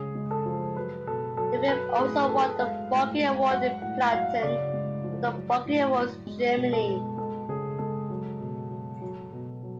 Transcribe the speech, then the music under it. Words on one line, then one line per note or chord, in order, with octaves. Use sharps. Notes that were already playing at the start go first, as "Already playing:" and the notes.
The film also won the Bogey Award in Platin from the Bogey Awards, Germany.
Already playing: C#3 G#3 G#4
G#3
A4
F3
F#3 B4
B2 A4
F#3 A4
F#3 B4
A2 G#4
B4
F#3 A4
G#3 F5
A2
G#3
F#3 F#5
A2 F#5
F#3 F5
C#3 D5
G#3
F3
F#3
A2
F#3
G#3
B2
A4
G#3
G#3 A4
C#3 G#4
G#3 A4
F#3
B2
F#3
F#3
B2
F#3